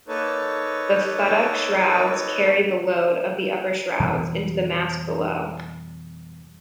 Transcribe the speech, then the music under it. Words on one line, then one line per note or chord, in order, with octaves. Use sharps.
The futtock shrouds carry the load of the upper shrouds into the mast below.
A#3 D#4 A4 B4 C#5
F2 B2 E3 G3